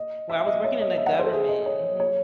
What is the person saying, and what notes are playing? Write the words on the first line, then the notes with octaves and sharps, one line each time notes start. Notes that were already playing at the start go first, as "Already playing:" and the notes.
Well, I was working in the government Mhm.
Already playing: D#5
E5
D#5
C#5
D#5
E5
F#5
E5
C5
A4
G#4
D#5
C#5
C#5